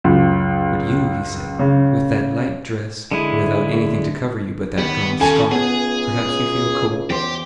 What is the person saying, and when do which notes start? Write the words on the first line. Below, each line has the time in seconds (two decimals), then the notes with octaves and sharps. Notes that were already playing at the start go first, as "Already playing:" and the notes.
"But you," he said, "with that light dress, and without anything to cover you but that gauze scarf, perhaps you feel cold?"
0.04 C#2 F#2
1.59 C#3
3.11 D3 G#3 E4
4.78 D#3 B3 G4
5.21 C#3 A4 G#5
5.51 C#2 B3 G#4
7.10 E2 G4 C5